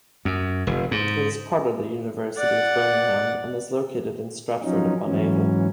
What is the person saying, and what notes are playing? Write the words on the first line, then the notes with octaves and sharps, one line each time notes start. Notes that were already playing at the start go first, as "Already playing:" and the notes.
It is part of the University of Birmingham, and is located in Stratford-upon-Avon.
F#2
F1
G#2
D5 F#5
F3 F#3 C#4 D#4
G#2 E3 F#3 C#4